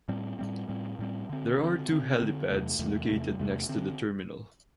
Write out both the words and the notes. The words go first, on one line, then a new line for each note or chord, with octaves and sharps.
There are two helipads located next to the terminal.
A2 G3 C4
A2 G3 C4
A2 G3 C4
A2 G3 C4
D3 C4
D3 C4
D3 C4
D3 C4
E2 C3 A3
E2 C3 A3
E2 C3 A3
E2 C3 A3
D3 C4